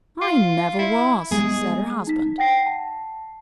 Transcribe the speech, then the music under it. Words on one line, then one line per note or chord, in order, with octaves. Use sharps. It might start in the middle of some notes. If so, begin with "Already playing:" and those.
"I never was," said her husband.
F4
E4
G3 G#3 B3 G#4
D#4 B6
F#5 G5 A#6 C7
A5